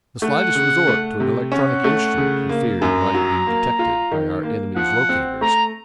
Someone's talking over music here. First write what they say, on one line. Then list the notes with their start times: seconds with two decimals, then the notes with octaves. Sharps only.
The slightest resort to an electronic instrument, he feared, might be detected by our enemies' locators.
0.22 A3 F#5
0.55 C#3
0.87 A3
1.20 C3
1.52 C#4 F#5
1.84 A3
2.18 C#3
2.49 A#3
2.81 F#2 A#5
3.14 F#3
3.47 A#3
3.79 F4
4.11 D#3
4.43 A#3
4.76 F3 F#5
5.09 C4
5.41 A3 A#5